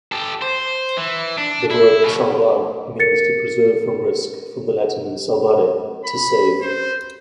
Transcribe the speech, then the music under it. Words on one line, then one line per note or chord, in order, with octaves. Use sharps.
The verb "salvar" means to preserve from risk, from the Latin "salvare", to save.
G4 A4
C5
E3
D4
E4
B2 C#4
A#4 A6 C#7
B5
C5